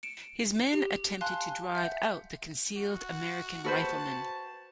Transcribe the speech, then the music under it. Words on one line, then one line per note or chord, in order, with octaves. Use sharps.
His men attempted to drive out the concealed American riflemen.
C#7 D7 E7
G4
F5 G#5 A5 C6 F#6
E5 F#5 G6
F#4
F#4 B4 C5 A5